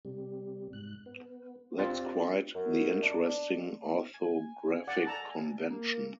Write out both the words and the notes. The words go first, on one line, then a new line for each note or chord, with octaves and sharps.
That's quite the interesting orthographic convention.
C3 G3
G#2 F#6
B3
C4 D4 F4 G4 A6
F#2
D4
G#5
D5 F#5
A4 A5 A#5
A#3